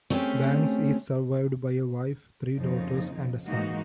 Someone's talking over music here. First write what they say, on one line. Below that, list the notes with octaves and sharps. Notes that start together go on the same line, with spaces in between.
Banks is survived by a wife, three daughters and a son.
A3 C4 C#4 G4 G#4
F2 A#2 C#3 F3 D#4
G#2 E3 G#3 A#3 D#4 F#4